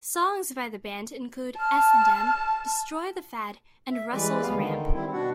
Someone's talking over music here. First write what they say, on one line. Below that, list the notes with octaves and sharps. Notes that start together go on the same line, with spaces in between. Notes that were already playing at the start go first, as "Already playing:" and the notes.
Songs by the band include "S and M", "Destroy The Fad" and "Russell's Ramp".
A5 F6
E5
E3 G3 G#3 B4 D5
D2 G#3 B3 F5
D3 D#3
G3 C4 E4
B2 D4 F#4 F#5